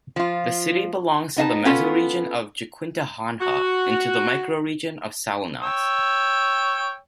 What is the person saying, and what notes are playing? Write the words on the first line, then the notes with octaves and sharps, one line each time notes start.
The city belongs to the mesoregion of Jequitinhonha and to the microregion of Salinas.
F3 F4
B3 D#4 F5 A5
B3 C#4 F4 A4
F#4
C#5 G5 E6